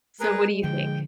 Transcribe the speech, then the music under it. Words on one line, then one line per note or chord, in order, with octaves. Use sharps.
So what do you think?
G#3 G#4 A#4 B4
D3 F3 G5